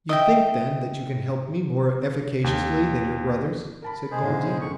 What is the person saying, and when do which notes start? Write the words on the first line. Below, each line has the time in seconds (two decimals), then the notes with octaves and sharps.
"You think, then, that you can help me more efficaciously than your brothers?" said Gondy.
0.09 D#5 E5 G5
2.44 D#2
3.82 A#4 A5 B5
4.11 G#3 G#4 C5
4.23 B1 D3 E3
4.61 C#2 F#2 C#6